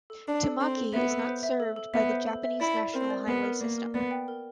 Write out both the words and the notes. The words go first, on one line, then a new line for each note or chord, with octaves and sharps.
Tamaki is not served by the Japanese national highway system.
A4
D4 A4
A4
C4 A4
A4
B3 E5
A4
C5
E5
A4
A4
B3 E5
C5
A4
E5
E4 D5
D5
C4 A#4
D5
B3 A#4
A#4
A#3 D5
A#4
B3 D5
G5
A#4